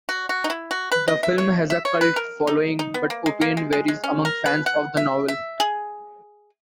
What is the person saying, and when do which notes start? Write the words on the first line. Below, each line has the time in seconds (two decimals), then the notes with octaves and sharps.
The film has a cult following but opinion varies among fans of the novel.
0.09 F#4
0.29 F#4
0.44 D#4
0.50 E4
0.71 F#4
0.92 B4
1.08 D#5
1.23 E5
1.38 C#5
1.70 E5
1.85 C#5
2.01 B4
2.16 A#4
2.47 D#4
2.79 D#4
2.94 B3
3.10 A#3
3.26 G#3
3.41 A#3
3.57 G#3
3.73 G#3
3.88 G#3
4.04 C#4
4.25 A#4
4.46 B4
4.66 F#5
4.97 E5
5.28 E5
5.60 G#4